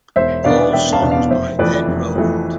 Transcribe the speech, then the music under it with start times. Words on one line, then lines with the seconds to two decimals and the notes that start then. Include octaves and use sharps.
All songs by Ed Roland.
0.16 E1 C5 E5
0.44 E2 B2 B3 D4 D5 F5
0.73 E1 E5 G5
0.93 F5 A5
1.02 E2 B2 B3 D4
1.11 D5 F5
1.30 F1 C5 E5
1.59 F2 E3 A3 B4 D5
1.88 F1
2.16 F2 E3 A3